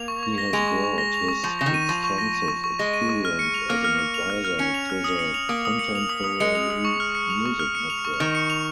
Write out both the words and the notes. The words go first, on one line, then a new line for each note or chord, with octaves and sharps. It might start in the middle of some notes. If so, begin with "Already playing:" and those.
He has brought his extensive experience, as an advisor, to the Contemporary Music Network.
Already playing: A#3 F7
C#6
C#6
A#6
G#3 F7
C#6
C#6
A#6
F7
C#6
F3 C#6
C#3 A#6
D#3
D#7
F3 C#6
C#6
A#6
D#7
C#6
C#6
G#3 A#6
D#7
C#6
F6
C#7
F7
A#3 F6
F6
C#7
F7
F6
F6
C#4 C#7
F7
F6
D#6
C#7
F7
A#3 D#6
D#6
C#7
F7
D#6
D#6
G#3 C#7
F7
D#6
C#6
F6
C#7
F7
C#6
F6
C#7
F7
C#6
D#3 F6
C#7
F7